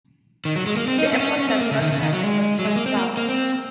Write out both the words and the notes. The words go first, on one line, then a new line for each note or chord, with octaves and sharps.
The airport does not have a control tower.
D#3
F#3
G#3
A#3
C4
D#4
C#4
C4
C#4
C#4
C4
A#3
C#3
D#3
C#3
D#3
F#3
G#3
F#3
G#3
A#3
C4
A#3
A#3
C4